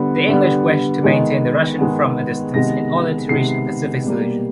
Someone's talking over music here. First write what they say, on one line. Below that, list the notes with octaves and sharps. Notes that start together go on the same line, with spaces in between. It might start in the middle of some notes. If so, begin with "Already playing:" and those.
The English wish to maintain the Russian from a distance in order to reach a pacific solution.
Already playing: D3 G3 B3
D3 G3 B3
D#3 G#3 B3
D#3 G#3 B3
C3 D#3 G#3 B3 A#6
C3 D#3 G#3 B3 C7
B2 G3 A#3